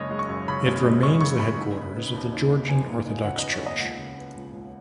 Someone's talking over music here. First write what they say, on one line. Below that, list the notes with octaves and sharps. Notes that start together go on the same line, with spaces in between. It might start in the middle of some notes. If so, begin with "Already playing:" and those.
It remains the headquarters of the Georgian Orthodox Church.
Already playing: F#1 F#2 C#3 G#3 C#5 D#5
G#3
C#6
F#2
C#3 B5
F#1
G#3
F#2 C#6
C#3 C#6
F#1 B5
D#4
C#3
B3
D#2
D#4
C#3
B3 G#5
D#2
D#4
C#3 F#5
B3 D#5
C#5
D#2
D#5
C#2 F#5
C#3
B3
C#2
C#2